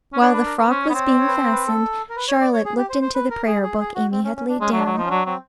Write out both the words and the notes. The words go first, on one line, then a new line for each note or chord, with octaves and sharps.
While the frock was being fastened, Charlotte looked into the Prayer-book Amy had laid down.
C#4
D4 C#5
B4
A#4
B4
C#4 C5
C#5
B3
C4 C#5
D5
C#5
B4
C5
B4
A4
A#4
B4
C#5
D5
C#5
G#4
G4
C5
C5
B4
A#4
G#4
G#4
G#4
F#4
C4
C#4
C#4
D4
G#3 C#4
F#3
D4
F#3
F3 D#4
C#4
F#3 D4
F#3 C4